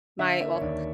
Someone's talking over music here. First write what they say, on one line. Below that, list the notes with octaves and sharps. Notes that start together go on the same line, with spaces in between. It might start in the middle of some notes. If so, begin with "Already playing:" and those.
my, well
D3 E5
A#3 E5
C#5
D#2 D5